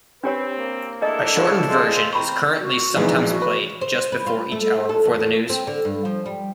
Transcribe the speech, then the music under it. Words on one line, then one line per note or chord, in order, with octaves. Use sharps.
A shortened version is currently sometimes played just before each hour before the news.
C4 D4 G4 B4 C#5
A#3
G#3 A3 D4 E4 G#4 A4 D#5
C#3 B4 F#5
G#3 F4 C5 E6
C4 A#5 B5 C#6
F#4
A#1 E3 G#3 D#4
F#4
B4
C5
B4
F4
A3
A4
E2
C4
D3
G2
F3
G3